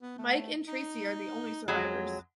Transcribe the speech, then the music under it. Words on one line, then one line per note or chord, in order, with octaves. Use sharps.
Mike and Tracy are the only survivors.
B3
A3
D#4
F2 F#3 G#3